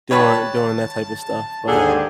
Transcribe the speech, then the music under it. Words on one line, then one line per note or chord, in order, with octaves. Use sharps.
doing doing that type of stuff, but
G3 B4 C#5 A5
D#2 G#2 D3 G4 G#4